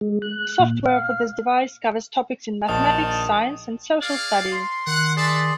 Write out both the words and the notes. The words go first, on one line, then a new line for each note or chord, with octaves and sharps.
Software for this device covers topics in mathematics, science, and social studies.
G#3
F#6
A#2
F5
A#1 D#3 A5 D#6
G#4 D5 F5
C6
D#3 F#5
A3 G#4 D5 E5 A5 C6